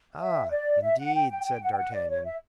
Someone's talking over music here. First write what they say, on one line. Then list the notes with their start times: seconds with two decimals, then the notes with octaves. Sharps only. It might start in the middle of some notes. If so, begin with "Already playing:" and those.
"Ah, indeed," said d'Artagnan.
0.19 E5
0.50 D5
0.82 E5
0.98 F#5
1.14 G5
1.30 G5
1.45 G5
1.62 F#5
1.72 G5
1.77 F#5
1.94 D5
2.09 C#5
2.25 E5